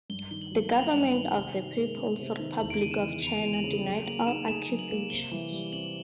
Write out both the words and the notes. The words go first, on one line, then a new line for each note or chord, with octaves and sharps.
The government of the People's Republic of China denied all accusations.
G2 G7
D#3 G7
F#7
F#3
A#3 F7
F#7
G2 F7
F#7
D#3
C3 G7
D#3
G#3
B3
C3
D#3
E2 F#7
D7
C#3 D#7
E7
E3
E2 F7
E2
F#7
C#3
F#3
A#3 F#7
D#4 E7
G#4 E7
F#3
F#7
A#3
C3 G7
E3
G3
C4 F#7